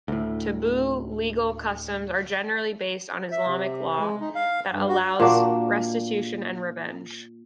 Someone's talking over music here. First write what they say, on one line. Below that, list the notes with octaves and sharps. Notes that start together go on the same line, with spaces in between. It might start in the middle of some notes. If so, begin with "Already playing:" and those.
Toubou legal customs are generally based on Islamic law, that allows restitution and revenge.
D2 A2
E5
C3
G#3
D#4
F5
G2
F#4
A#2 A#3 D4 F#4